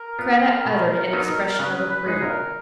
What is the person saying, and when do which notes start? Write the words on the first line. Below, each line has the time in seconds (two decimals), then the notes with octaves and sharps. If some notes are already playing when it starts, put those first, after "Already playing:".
Kreta uttered an expression of approval.
Already playing: A#4
0.19 B3 F4
0.65 B2
1.13 F#3 B3 D#4
1.59 C#3 B4
1.90 B4
2.06 G#3 D#4 G#4
2.22 A#4